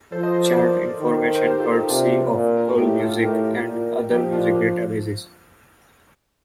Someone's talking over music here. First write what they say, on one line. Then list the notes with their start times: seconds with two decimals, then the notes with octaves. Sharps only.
Chart information courtesy of Allmusic and other music databases.
0.12 F3 A4 C5
0.23 C5 D#5
0.34 C5 D#5
0.45 A#4 D5
0.56 A4 C5
1.00 D#3
1.35 C5
1.44 G4 A#4
1.60 F4 A4
1.75 D#4 G4
1.89 C3 D4 F4
2.33 A#2
2.57 A#4
2.67 A4
2.78 A2 D#4 G4
3.00 F4 A4
3.22 A2 G4 A#4
3.66 A#2
4.11 F3 D#4 G4
4.33 D4 F4
4.55 A#3 D4